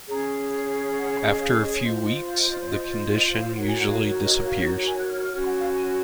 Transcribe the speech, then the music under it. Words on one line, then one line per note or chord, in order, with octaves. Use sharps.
After a few weeks, the condition usually disappears.
C#4 G#4 C#5 A#5
F#5
D#5
F5
D#5
F4 C5 D#5
D#5
F5
D#5
D#5
C#5
D#5
D#5
D#5
D#5
D#5
F5
D#4 F#4 A#4 C#5 F#5
G#5
F#5
F5
D#5
F5
G#5
F#6
F6
F6
C#4 F#4 C#5 F6
F#5
F5
G#5